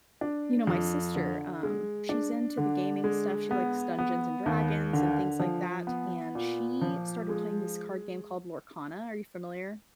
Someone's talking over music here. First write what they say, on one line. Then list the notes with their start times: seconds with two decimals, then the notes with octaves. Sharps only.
You know, my sister, um, she's into the gaming stuff, she likes Dungeons& Dragons and things like that, and she started playing this card game called Lorcana, are you familiar?
0.21 D4
0.67 F2
1.15 D3
1.63 G#3
2.09 D4
2.57 D3
3.04 G#3
3.51 B3
3.98 B3
4.46 D#2
4.93 D3
5.40 F3
5.87 B3
6.35 A#2
6.82 F3
7.29 G#3